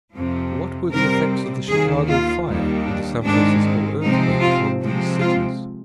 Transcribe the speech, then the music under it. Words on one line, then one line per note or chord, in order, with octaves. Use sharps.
What were the effects of the Chicago fire and the San Francisco earthquake upon these cities?
F2 C3 F3
C3 G3 C4 A#4
D#2 D#3 A#3 G#4
F4
D#2 D#3 G3 A#3
D4
G#2 D#3 G#3 C4 D4
C3 F3 G#3 C4 D#4
F4
C3 F3 G#3 C4
F4